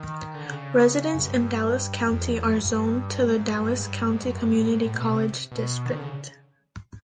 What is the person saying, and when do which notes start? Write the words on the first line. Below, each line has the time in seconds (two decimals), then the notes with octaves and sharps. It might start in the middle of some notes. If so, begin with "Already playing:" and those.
Residents in Dallas County are zoned to the Dallas County Community College District.
Already playing: D#3
0.34 D3
0.48 C#3
1.14 F#2
1.21 G2
2.07 F2
2.24 E2
2.36 F2
2.50 G2
2.65 G2
3.22 G#2
3.51 G2
3.73 G#2
3.79 G2
4.08 G#2
4.22 F#2
4.37 G2
4.46 G#2
4.56 A2
4.66 G#2
4.81 A2
4.94 B2
5.09 C3
5.52 B2
5.85 D#3
5.94 D3
6.01 C#3